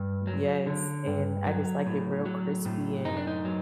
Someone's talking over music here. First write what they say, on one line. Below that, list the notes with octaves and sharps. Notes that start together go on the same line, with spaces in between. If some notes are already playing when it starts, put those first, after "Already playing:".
N Yes, and I just like it real crispy, and
Already playing: G2
F#3
D3
G2
F#3
A2
F#3
A2
F#2 D#4
D4
D#4
F#3